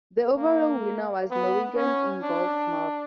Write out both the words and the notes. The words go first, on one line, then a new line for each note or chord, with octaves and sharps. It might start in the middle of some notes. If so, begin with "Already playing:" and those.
The overall winner was Norwegian Ingolf Mork.
A#3
B3
C#4
D4